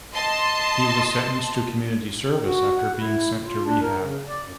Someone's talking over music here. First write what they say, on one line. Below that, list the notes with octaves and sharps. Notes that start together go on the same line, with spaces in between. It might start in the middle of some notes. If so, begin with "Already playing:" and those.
He was sentenced to community service after being sent to rehab.
D#5 A5 C6
D#3
F#4
F#5
E4
F4
D4
A#4
C#3
D5
F#2